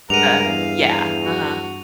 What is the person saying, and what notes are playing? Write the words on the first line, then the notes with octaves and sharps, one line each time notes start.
Uh, yeah, uh-huh.
G2 G#3 A#4 F#5 D#7 F7
E2 F5
F#4